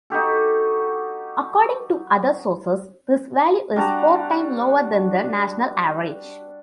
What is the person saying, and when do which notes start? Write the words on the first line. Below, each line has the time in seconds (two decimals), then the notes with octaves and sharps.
According to other sources, this value is four times lower than the national average.
0.10 D#4 F#4 G4 A4
3.76 G3 D4 F#4 A#5